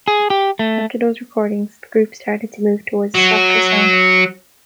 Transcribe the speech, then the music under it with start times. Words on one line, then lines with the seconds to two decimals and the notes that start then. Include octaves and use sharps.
After those recordings the group started to move towards a softer sound.
0.08 G#4
0.30 G4
0.59 A3
3.15 F#3